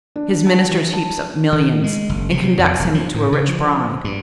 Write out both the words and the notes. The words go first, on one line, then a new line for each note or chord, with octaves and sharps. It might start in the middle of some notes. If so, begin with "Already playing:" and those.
His minister heaps up millions, and conducts him to a rich bride.
D4
A5
E3
A5
D#3
G#3
F#1
C3
F2
E1
F3
A2
C#3
F3
G2